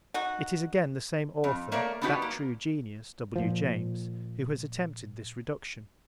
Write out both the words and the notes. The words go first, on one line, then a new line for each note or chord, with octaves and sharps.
It is again the same author, that true genius, W. James, who has attempted this reduction.
D#4 F#4
F2
A3 A#3 A#4 C#5 D5
B3 D4 D#4 F#4 G4 B4
A#3
A#2 F3